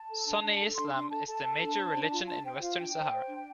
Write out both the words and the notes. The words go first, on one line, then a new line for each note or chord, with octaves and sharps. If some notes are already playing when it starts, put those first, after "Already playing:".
Sunni Islam is the major religion in Western Sahara.
Already playing: A5
A4
D4
D4
A4
D4 C6
D4 C6
A4 A5
A4 A5
A4
D4
C5
D4
F4
D4 A5
C5 G5
D5
F4 F5
D4 G5
C5
C5
D4